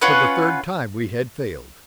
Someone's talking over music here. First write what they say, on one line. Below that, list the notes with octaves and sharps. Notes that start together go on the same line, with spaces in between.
For the third time we had failed.
C#4 F4 B4 F#5